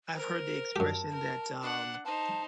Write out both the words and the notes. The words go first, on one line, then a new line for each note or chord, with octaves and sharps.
I've heard the expression that, um
A#4 C5
F#2 G4 A5
A#4
D4 F#5
D#4 C5 A5